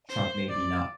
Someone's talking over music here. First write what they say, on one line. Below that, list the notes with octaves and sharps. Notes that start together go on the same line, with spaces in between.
Trump may be not
C5
D5